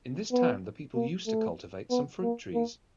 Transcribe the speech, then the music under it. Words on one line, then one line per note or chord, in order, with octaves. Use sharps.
In this town the people use to cultivate some fruit trees.
B3
A#3
A3
B3
A#3
A#3